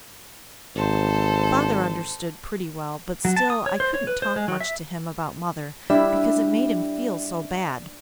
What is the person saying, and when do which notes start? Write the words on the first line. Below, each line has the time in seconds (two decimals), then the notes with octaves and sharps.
Father understood pretty well, but still I couldn't talk much to him about mother, because it made him feel so bad.
0.75 G#1 A4 C5
3.25 F#3
3.36 A5
3.50 D#6
3.66 C#5
3.80 C5
3.94 C#5
4.07 B4
4.22 C5
4.36 G#3
4.48 F#3
4.61 E5
5.90 G3 D4 E4 E5